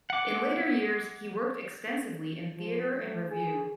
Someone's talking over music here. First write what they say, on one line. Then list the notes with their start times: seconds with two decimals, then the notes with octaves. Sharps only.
In later years he worked extensively in theatre and revue.
0.10 F#5 D6
2.54 F3
2.95 A3
3.29 G#4